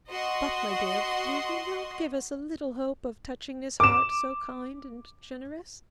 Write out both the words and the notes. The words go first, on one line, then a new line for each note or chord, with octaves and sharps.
But, my dear, will you not give us a little hope of touching this heart, so kind and generous?
F#4 D#5 C6
D6 E7